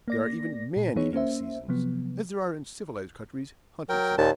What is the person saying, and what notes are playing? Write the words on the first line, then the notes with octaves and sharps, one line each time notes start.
There are even 'man-eating seasons,' as there are in civilized countries hunting seasons.
A#3 D5 A#6
A#2
E3 B3 D#4 G#4 C#5
A#3 C#4 C5 E5
C3 F3 F#3 B3
F#3 A#4 G5
D#2 A#2 A5